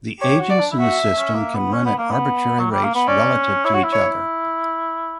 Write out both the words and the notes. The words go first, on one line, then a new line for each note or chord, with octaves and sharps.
The agents in the system can run at arbitrary rates relative to each other.
G4 C#5
F#4
D5
D4
E4
F#4 E5
C#4
A#3
B3
C#4
B3
A#3
B3
F#3
G3
A#3
B3
C#4 D5
E4 C#5
F#4
E4
C#5